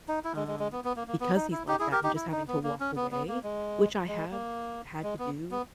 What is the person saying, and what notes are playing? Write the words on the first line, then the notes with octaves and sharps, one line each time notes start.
um, because he's like that and just having to walk away. Which I have had to do,
D#4
E4
G#3
G#3
G#3
B3
B3
A#3
A#3
B3
D#4
E4
D#4 G4
E4 G#4
G4 A#4
D#4 G4
E4
D#4
B3
A#3
C#4
B3
B3
A#3
G#3
G#3
A#3
G#3
B3
B3